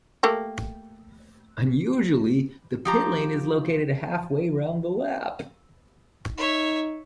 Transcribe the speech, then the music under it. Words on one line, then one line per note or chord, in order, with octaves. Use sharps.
Unusually, the pit lane is located halfway round the lap.
A3 A#3 G4
F3 G4 A#5
D#4 C#5 E5